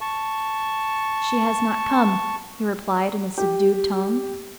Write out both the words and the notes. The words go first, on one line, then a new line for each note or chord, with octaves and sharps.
"She has not come," he replied in a subdued tone.
A5 C#6
G4